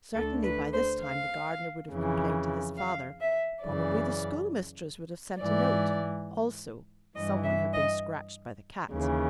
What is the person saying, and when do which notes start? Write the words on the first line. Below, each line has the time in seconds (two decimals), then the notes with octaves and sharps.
Certainly by this time the gardener would have complained to his father, probably the schoolmistress would have sent a note. Also--someone had been scratched by the cat.
0.15 D2 D3 A4
0.44 B4
0.73 C5
1.02 F5
1.90 F2 C#3 E3
2.77 F5
3.21 E5
3.65 F#2 C#3 E3 D5
5.40 G#2 E3 D5
7.15 G2 E3 D#5
7.44 E5
7.74 D#5
8.90 D#2 C#3 E3